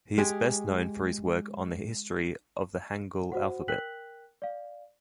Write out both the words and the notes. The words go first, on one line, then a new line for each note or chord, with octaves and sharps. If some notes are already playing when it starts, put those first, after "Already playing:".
He is best known for his work on the history of the hangul alphabet.
G#3 G4 G#4
F#4 C5 F#5
A#4 G5 F#6 B6 F#7
D5 F5